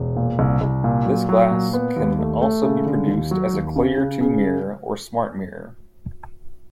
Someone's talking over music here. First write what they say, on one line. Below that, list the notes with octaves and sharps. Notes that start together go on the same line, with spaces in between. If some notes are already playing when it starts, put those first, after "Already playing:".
This glass can also be produced as a clear to mirror, or smartmirror.
Already playing: E1
A#2
C2
C2
A#2
F#3
F#3
A#2
B3
D#2
A3
A3
C#3
D3
D#2
F#3
D#2
C#3
C#3
C#3